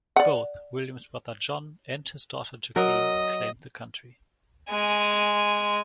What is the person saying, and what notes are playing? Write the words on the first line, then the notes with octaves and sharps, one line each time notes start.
Both William's brother John and his daughter Jacqueline claimed the county.
D5 F#5
F#3 A#4 D#5
G#3 G#5